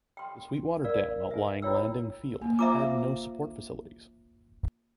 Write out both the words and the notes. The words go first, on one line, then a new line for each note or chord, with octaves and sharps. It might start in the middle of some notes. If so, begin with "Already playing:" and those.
The Sweetwater Dam Outlying Landing Field had no support facilities.
G5 C6
A#4 D5 F5
E5 G#5
E4 F4 C#5 G5 E6
A#3
F4 C5 E5 F5 A#5 D6